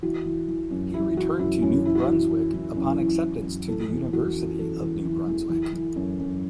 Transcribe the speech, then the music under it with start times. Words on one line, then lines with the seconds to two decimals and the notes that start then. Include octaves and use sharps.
He returned to New Brunswick upon acceptance to the University of New Brunswick.
0.03 E3 F#4
0.25 E3
0.48 E3
0.71 F#2
0.94 E3 E4
1.16 E3 F#4
1.39 F#2 E4
1.62 F#2 C#4
1.85 E3 E4
1.95 F#4
2.05 E3 E4
2.31 E3
2.53 E3
2.77 F#2
2.99 E3
3.22 E3
3.46 F#2
3.67 E3 A4
3.91 E2
4.13 E3 F#4
4.37 E3
4.59 E2 A4
4.82 E2
5.05 E3
5.28 E2
5.50 E3
5.73 E3
5.96 F#2
6.19 F#2